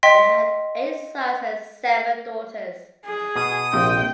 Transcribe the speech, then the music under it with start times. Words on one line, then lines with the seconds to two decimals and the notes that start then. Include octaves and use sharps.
They had eight sons and seven daughters.
0.03 D#5 G5 C6 B6
3.06 G#4
3.36 B2 D#6
3.73 A#1 C3 C4 G5